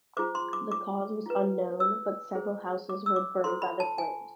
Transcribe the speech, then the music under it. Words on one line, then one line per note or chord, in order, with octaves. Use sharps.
The cause was unknown, but several houses were burned by the flames.
F4 G#4 C5 D6
C6
D6
D6
F4 B4
E6
F4 G#4 C5
D6
E6
D6
F4 A4 C5 C6
B5
A5
G#5